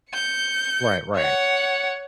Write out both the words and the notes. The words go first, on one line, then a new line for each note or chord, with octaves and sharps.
Right, right.
G6 C#7
C#5 F#5